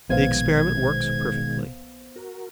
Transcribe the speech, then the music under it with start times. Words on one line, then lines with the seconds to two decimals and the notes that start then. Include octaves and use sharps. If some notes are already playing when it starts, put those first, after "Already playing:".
The experiment works perfectly.
0.09 A#1 B2 D#3 G#3 B3 C5 F5 G#6
2.16 F#4 A#4